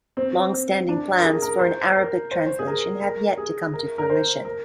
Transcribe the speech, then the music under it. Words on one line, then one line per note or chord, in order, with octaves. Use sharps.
Long-standing plans for an Arabic translation have yet to come to fruition.
C4
C4
D4
A#4
G#4
A#4
C5
A#4
C5
C5
G#4
A#4
A#4
G#4
A#4
A#4
C5
A#4